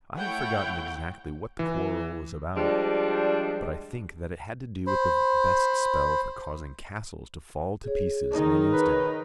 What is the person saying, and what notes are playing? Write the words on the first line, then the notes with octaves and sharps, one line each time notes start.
I have forgotten exactly what the quarrel was about, but I think that it had to do with the best spell for causing castles to fall to pieces in an instant.
A3 E4 C#5 F#5 G5
E3
F3 G3 G#3 D4
C5 B5
G#4 C#5
D#3 D#4
B4